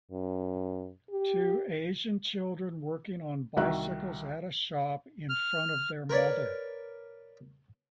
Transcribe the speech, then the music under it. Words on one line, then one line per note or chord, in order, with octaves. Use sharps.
Two asian children working on bicycles at a shop in front of their mother.
F#2
G4
C2 D#3 F#4 E5 F#5 F#6
F6
A#4 B4 C#5 D5